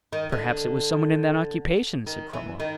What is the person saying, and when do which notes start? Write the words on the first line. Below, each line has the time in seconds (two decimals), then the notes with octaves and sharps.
"Perhaps it was some one in that occupation," said Cromwell.
0.12 D#3
0.32 D3
2.07 D#3
2.33 E3
2.60 D#3